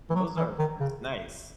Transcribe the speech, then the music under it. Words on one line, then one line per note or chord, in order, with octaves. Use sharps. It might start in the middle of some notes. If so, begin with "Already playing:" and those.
Those are pris nice.
E3
F#3
E3
D#3
C#3